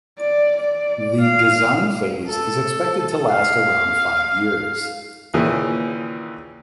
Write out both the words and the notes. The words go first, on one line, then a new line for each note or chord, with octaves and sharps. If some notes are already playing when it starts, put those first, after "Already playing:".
The design phase is expected to last around five years.
D5
D5
F5
A4
F5
D#2 A#2 C#3 E3